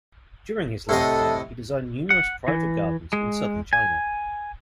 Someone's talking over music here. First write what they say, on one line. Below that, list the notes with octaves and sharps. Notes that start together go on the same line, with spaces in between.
During his lifetime, he designed numerous private gardens in Southern China.
A2 C3 A4 D#5
F#5
E3
G#3
G#5